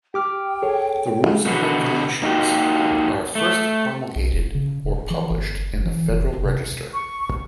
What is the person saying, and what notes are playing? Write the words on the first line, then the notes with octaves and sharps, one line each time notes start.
The rules and regulations are first promulgated or published in the "Federal Register".
G4 G5 D6 F6
G#4 A4 C#5
B2 D3 F#4 B4
A#3 D#4 F#4 G4
A3
B1
E1
C#3
E1
E3
G1
F1
E3
F1
F#1
C3
C#6